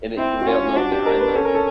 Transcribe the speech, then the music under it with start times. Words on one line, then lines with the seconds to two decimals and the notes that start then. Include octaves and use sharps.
and it 'cause they don't know I'm behind them,
0.18 C4 E4
0.41 F#4
0.47 C#4 F4
0.77 D4 F#4
0.92 G4
1.06 A#4
1.20 B4
1.36 C#4 A4
1.45 A#4
1.55 A4